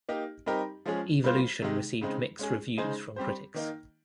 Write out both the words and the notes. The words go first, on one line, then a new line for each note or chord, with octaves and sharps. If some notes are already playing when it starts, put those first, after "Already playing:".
"Evolution" received mixed reviews from critics.
A#3 D#4 G4
G3 C4 D#4 G4 A#4
F3 G#3 C#4 G#4
G3 A#3 F4 C5
C3 D#3 G#3 D#4
C#3 G#3 C4 D#4
G#3 C#4 G#4
C#3 G#3 D#4 G#4 C5
G3 C4 G4 C5
D#3 A#3 D#4